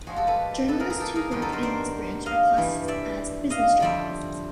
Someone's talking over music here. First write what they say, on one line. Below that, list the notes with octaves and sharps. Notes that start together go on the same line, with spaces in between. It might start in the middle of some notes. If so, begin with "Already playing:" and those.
Journalists who work in this branch are classed as "business journalists".
A#2 F3 G#3 F#4 G#4
G4 A4
A4 B4
A4 B4
G#4 A#4
G#4 A#4
G4 A4
G#4 A#4
G2 D#3 F#3 G#4 A#4
A4 B4
A#4 C5
C5 D5
D#5 F5
G2 E3 G3
D5 E5
D#5 F5
F2 D3 G3 D5 E5